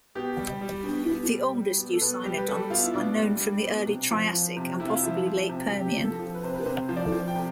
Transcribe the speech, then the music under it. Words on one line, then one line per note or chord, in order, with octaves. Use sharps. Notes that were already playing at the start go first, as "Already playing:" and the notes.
The oldest eucynodonts are known from the Early Triassic and possibly Late Permian.
B2 G4
G3
G3
B2
B2
G3
G3
B2
A4
B2 B4
G3 G4
B4
G3 A4
B2 F4
E4
B2 D4
G3
G3
B2
C3
F3
F3
C3
C3 E4
F4
E4
F3
F3
C3
C3 G4
F3
A4
F3
B4
C3 C5
B4
C3 C5
F3
D5
F3
G5
C3